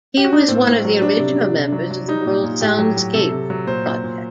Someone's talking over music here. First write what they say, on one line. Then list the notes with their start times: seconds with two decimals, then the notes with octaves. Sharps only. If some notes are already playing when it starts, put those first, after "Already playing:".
He was one of the original members of the World Soundscape Project.
0.17 G4
0.24 F#4
0.33 D#4
0.41 D4
0.48 A2 C4
0.66 A2
0.85 F#3
1.01 G3 D4
1.19 C3
1.37 C3
1.55 C3
1.72 F#3
1.91 F#3
2.08 G3 D#4
2.26 A#2
2.43 A#2
2.61 A2 G4
2.79 F#3
2.97 F#3
3.14 C3 A4
3.31 C3
3.50 F#3
3.67 A#2 C5
3.86 A#2
4.03 A#2